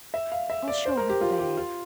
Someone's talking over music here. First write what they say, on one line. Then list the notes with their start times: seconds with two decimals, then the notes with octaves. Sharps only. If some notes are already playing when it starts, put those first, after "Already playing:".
"I'll show her the bag."
0.14 E5
0.32 F5
0.50 E5
0.68 D5
0.85 C5
0.97 A#4
1.09 G4
1.21 F4
1.39 G4
1.57 F4